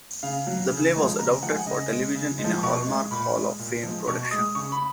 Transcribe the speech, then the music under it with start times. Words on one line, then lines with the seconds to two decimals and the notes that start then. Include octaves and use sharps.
The play was adapted for television in a Hallmark Hall of Fame production.
0.23 C#3 F5
0.47 F#3
0.72 C#3
0.96 F3 G#3
1.19 C#3 A#5
1.43 F3 G#3 F#5
1.51 G#5
1.59 F#5
1.67 C#3 D#5
1.91 G#3
2.15 C#3
2.39 G#3
2.44 F3
2.63 B2 C#6
2.87 G#3
3.11 A#2 B5
3.35 G#3
3.59 A#2
3.83 F3 G#3
4.07 B2 C#6
4.31 G#3 D#6
4.55 C#3 C#6
4.72 B5